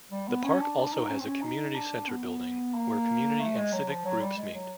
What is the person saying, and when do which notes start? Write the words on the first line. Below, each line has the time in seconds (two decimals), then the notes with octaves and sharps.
The park also has a community center building where community and civic groups meet.
0.12 G3
0.28 B3
0.44 C#4
0.60 D4
0.77 D4
0.93 D#4
1.09 C#4
1.19 C4
1.27 C#4
1.42 D#4
1.75 D4
2.08 B3
2.74 A#3
3.40 A3
3.56 G#3
3.73 F#3
3.89 F3
4.05 F#3
4.21 G3
4.38 G#3
4.54 F#3